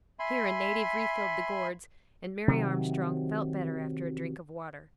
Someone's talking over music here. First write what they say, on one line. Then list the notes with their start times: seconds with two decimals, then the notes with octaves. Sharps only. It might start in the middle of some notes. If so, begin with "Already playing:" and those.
Here a native refilled the gourds, and Mary Armstrong felt better after a drink of water.
0.19 E5 G#5 B5 C6
2.48 C3 D#3 F#3